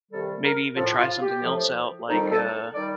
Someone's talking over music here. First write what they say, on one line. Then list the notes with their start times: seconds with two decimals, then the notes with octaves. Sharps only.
maybe even try something else out like, uh
0.11 C2 C3 D#3 G3 A4
0.43 A#4
0.76 F3 A4
0.80 A2
0.98 F4
1.21 G4
1.42 A2 F3
2.08 F2 D#3 G3 D#4
2.31 A4
2.74 D#3 G3 D5